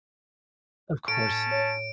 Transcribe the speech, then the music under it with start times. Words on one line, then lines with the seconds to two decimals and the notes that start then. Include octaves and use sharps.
Of course, yea
1.08 A2 C#4 A5 D7
1.51 C#5